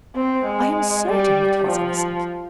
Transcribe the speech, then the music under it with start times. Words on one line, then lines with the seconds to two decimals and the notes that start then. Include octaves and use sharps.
I am certain that he is innocent.'
0.15 C4
0.45 G#3
1.07 G3
1.68 F3